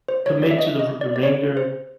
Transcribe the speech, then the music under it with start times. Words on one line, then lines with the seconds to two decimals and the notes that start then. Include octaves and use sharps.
commit to the re remainder
0.08 C5
0.26 C#5
0.42 D5
0.51 E5
0.59 D#5
0.79 D#5
1.01 D5
1.16 D5
1.23 C#5
1.57 C5